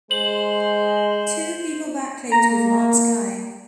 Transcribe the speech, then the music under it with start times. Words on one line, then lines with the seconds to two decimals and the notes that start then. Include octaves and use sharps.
Two people backlit with light sky.
0.11 G#3 C5 F#7
2.32 A#3 A#5